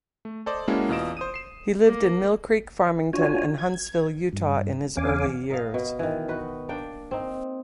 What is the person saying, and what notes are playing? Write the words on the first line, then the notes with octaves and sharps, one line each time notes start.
He lived in Millcreek, Farmington and Huntsville, Utah, in his early years.
A3
A4 C5 D5 D#5
G#3 A#3 C#4 E4 F#4 A4
E2 B2 F4 D#5 D7 E7
C5 D#6 D#7
C7 E7
A#3
D4 F4 F#4 C#5 G#5
G#6
G2
E2 C#4 F5 G#5 D6
A#4 D#5 F5
B2
D#3 E3
D#4 F#4 B4
A#3 D4 G5
C4 D#4